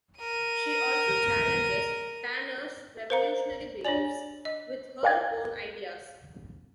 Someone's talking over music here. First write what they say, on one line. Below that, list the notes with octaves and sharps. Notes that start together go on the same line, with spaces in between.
She also challenges Tanner's revolutionary beliefs with her own ideas.
A#4 D#7
A#4 C5 F5 A#5 C#7
D4 C#5 D5 G#5 F#7
D#5
A#4 D5 F5 G5 G#6